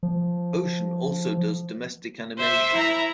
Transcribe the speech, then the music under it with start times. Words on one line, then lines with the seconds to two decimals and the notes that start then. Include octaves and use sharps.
Ocean also does domestic animation.
0.03 F3
2.38 C5 E5
2.74 E4 A#5